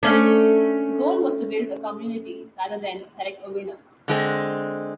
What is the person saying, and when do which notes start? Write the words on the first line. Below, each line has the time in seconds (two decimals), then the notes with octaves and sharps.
The goal was to build a community rather than select a "winner".
0.03 A3 C#4 D4
4.08 D3 G#3 C4